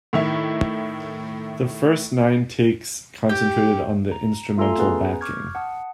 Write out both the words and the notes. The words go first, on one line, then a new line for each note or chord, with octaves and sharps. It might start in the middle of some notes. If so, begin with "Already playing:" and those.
The first nine takes concentrated on the instrumental backing.
A2 D#3 E4
G4 G5
A#5
A3 F4 A4 G#5 A#5 C6
B3 C#4 G#4 B4 G#5 A#5
C#6 D6 F6 G6 G#6
F#5 A5 D#6